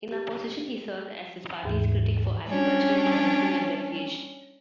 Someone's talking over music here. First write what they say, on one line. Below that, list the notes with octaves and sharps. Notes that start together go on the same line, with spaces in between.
In opposition, he served as his party's critic for Agriculture and Tourism and Recreation.
G4
D#2 G#2 E3
G3 C#4 D4